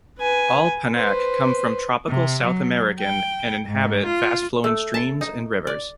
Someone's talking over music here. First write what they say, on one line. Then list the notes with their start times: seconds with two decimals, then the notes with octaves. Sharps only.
All "Panaque" come from tropical South American and inhabit fast-flowing streams and rivers.
0.19 B4 G#5
0.93 B4 C5
2.08 C3
2.43 F#3
3.00 G5
3.66 G#2
4.06 F4
4.64 A3
4.94 A5
5.21 D#4
5.67 D5